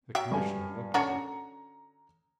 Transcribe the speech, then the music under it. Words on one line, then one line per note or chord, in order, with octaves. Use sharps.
The Commissioner looked at her.
F#3 E5 G5
G2 G#5
D3 C#4 F#4 A#5 C#7